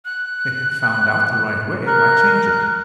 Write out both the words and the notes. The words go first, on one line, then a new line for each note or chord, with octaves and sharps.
"If they had found out the right way, why change it?"
F#6
A#4 F#6